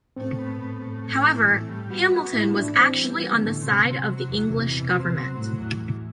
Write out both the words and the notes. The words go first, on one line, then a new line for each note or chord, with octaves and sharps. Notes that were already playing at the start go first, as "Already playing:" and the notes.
However, Hamilton was actually on the side of the English Government.
A2 C4
B3
A2
A2
A2
E3
A2
G3
B3 F#4
B3 F#4
A2 E4
E3 D4
E3 C4
G3
B3
E3
D3
A2
C3 C4
F#3
F#3
E2
E2 C3
B2
C4
F#3
A2 F#3
E2
E2